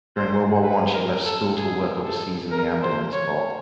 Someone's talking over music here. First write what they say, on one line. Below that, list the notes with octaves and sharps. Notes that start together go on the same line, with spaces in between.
During World War One, she left school to work overseas in the ambulance corps.
C5
B4
A#4
A4
G#4
A4
A#4
C5
C#5